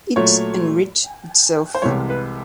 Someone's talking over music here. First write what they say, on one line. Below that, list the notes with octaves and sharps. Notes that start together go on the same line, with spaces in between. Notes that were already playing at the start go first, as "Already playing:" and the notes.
It enriched itself.
A#2 F#3 A3 C#5
C5
C2 C3 E3 G#3 C#5
B4